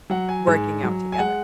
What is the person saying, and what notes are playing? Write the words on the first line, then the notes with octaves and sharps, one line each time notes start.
working out together.
F#3 F#5
G#5
G#2
F#3
G#5
G#3 F#5